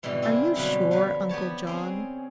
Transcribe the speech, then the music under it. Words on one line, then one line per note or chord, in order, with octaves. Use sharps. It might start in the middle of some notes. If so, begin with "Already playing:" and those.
"Are you sure, Uncle John?"
G#2 B2 D3 E3 G3
D3 C4 E4 F4 G#4
B2 D3 F#3 G3 F4 B4
F3 F#3 B4
B3 G4 C#5 A5
C4 C#4 G#4